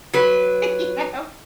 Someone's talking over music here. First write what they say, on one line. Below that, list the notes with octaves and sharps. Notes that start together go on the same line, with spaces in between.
You know?
F#3 B4